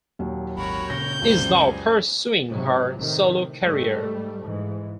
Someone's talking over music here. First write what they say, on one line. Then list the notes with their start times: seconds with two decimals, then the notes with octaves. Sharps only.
Is now pursuing her solo career.
0.19 D#2 A#2 F#3
0.57 G#1 F#4 A#4 C#5 B5
0.90 A#2 C#3 G6 A#6
1.21 C#2 F#2 G3 C5
1.66 G#4
2.49 G#2 C3 F#3
2.96 A2 C3 D#3
3.63 G#2 G3 A3
4.41 G#2 E3